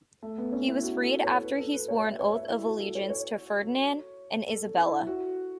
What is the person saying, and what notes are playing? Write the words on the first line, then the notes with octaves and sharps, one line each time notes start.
He was freed after he swore an oath of allegiance to Ferdinand and Isabella.
A3
B3
C#4
E4
F#4
A4
C#5
B4
A4
B4
C#5
E5
C#5
E5
E4
F#4
A4
C#5
C#5
A4
E4
F#4